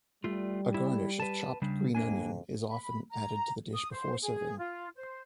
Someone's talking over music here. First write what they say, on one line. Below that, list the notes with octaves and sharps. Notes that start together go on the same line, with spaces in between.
A garnish of chopped green onion is often added to the dish before serving.
G3 A3 F4
E4
B4 A5
C#3 G3 D4
F2 A#3 D4 G#5
B5
A#5
D#6
C5
G#4
F4
C5